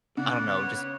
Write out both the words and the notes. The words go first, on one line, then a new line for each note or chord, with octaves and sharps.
I don't know, just
C#3 D5 F#5
B3 C#5